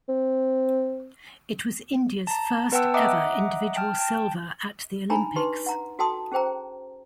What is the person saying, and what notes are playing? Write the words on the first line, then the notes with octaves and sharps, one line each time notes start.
It was India's first ever individual silver at the Olympics.
C4
A5 A#5
B3 B4 F#5 G5 A5 E6
D#5 E5 F#5 A#5 D6 D#6
G5 A5 F6
G5 A5
D4 D#4 G#5 A#5 B5
D#4 G4 B4 C6
F#5 A#5
F#4 A4 G5 A5 C6 D#6
C#4 G#4 C5 G5 A#5